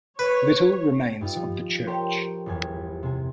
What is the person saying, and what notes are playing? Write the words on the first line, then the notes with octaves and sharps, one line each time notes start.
Little remains of the church.
B4 C#5
G2 D#4 F4
F3
G4 A4 A#4 C5 C#5
G1 E2 G#5
C3 G#4